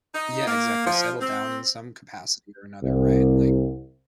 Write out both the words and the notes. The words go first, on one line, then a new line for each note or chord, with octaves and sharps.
Yeah, exactly. Settle down in some capacity or another, right, like
D#4
A#3
F3
C4
C2